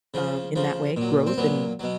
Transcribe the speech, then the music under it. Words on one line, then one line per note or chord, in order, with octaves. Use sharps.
um, in that way, growth and
C#3 F3
C#3 F3
A#2 F#3
C4
A#2 F#3 B3
B2 F#3